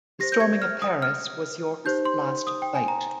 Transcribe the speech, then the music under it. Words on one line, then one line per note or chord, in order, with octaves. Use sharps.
The storming of Paris was Yorck's last fight.
G4 C5 A#6
G6
G#6
F6
D#6
F6
D#4 G4 C5 G6
C6
D#6
G5
G#5
A#5